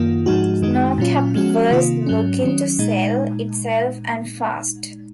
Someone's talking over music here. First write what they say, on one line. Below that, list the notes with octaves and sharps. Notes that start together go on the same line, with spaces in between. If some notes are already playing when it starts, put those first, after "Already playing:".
Snocap was looking to sell itself and fast.
Already playing: F#2 D#3 A#3 F4
G#2 F3 G#3 D#4 F#4
F#2 D#3 G#3 D#4 F#4
A#2 F#3 C#4 F4
F3 G#3 C#4 F#4
C3 D#3 A#3 F4
G#2 F#3 C#4
D#3 F#3 C#4
A#2 G#3 D#4